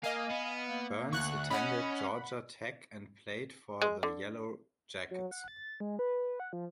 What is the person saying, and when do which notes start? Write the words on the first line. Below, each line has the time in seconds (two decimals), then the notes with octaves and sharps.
Burns attended Georgia Tech and played for the Yellow Jackets.
0.03 A#3 D#5 F5 G#5
0.30 B3
0.68 A#3
1.13 D2 C#6 F#6
1.50 C#4 D#5 F#5 B5
3.82 G#3
4.03 D3
5.11 F#3
5.31 F#5
5.48 A6
5.80 G#3
5.99 B4
6.40 F#5
6.53 F3